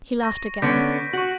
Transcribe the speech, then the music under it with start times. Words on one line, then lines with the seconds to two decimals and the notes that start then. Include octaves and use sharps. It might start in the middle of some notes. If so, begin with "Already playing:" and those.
He laughed again.
0.23 C#6 A#6
0.62 D3 B3 C#4 G6 B6 D7
1.13 F#4 C#6 F#7